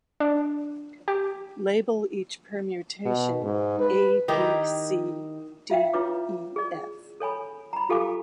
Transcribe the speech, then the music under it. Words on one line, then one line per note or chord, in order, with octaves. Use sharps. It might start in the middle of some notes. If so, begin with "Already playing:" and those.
Label each permutation "A B C D E F".
D4
G4
B2
G#2
B4
D#3 D#4 E4 G4
F4 E5 F5 G5
E4 F4 B4 C#5 D6
G#4 D5
A4 C#5 G#5 B5
A#5 B5
F4 G4 A4 F5 G#5 D6